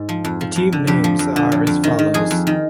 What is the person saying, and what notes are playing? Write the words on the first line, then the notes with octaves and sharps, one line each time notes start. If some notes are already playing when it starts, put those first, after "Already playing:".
The team names are as follows.
Already playing: G#2
F3
F2
F3
F2
D3
F2 G4
F3
F2
D3
F2
F2
D#3
D#3
F2 G#4
F2
D#3